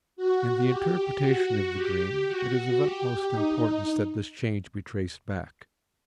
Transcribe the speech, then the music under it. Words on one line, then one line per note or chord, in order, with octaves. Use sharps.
In the interpretation of the dream it is of utmost importance that this change be traced back.
F#4
G4
F#4
G4
F#4
G4
D#4